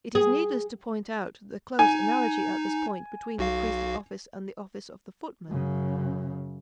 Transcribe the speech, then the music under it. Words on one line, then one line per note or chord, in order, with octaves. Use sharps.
It is needless to point out the close analogy at this point between the priestly office and the office of the footman.
G#4
D#4 G#5
B1 F#4 F5
F#2 C#3